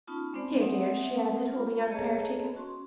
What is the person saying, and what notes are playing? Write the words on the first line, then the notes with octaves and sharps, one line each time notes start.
"Here, dear," she added, holding out a pair of teacups.
B3 C#4 D#4 F4 A5
G#3 B3 C4 D4 C5 D5
G#3 C4 E5 F#5 D#6
F4 B5
G#4 A4 C#5 D#5 A5 A#5
C#4 F#4 C6